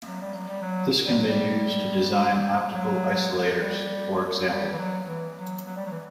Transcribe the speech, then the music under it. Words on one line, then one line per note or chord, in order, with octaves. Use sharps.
This can be used to design optical isolators, for example.
F#3
G3
F#3
G3
F#3
G3
F#3
G3
F#3
G3
G3
E3
F#3
E3
F#3
F#3
G3
F#3
E3